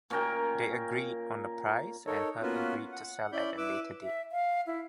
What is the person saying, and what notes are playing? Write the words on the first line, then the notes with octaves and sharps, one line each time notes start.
They agreed on a price and Hurd agreed to sell at a later date.
A#2 C#4 A#4 G5
D#4 A4 A#4 C#5
A#3 B3 C#4 F4 F#4 B4
F#5
C#4 E4 D5 B5 G6
E4 B4 D6 E6
E5
F5
E4